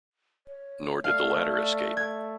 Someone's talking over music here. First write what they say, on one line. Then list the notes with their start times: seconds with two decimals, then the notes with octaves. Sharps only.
Nor did the latter escape.
0.47 C#5
1.04 A3 D5 F5
1.97 A3 G#6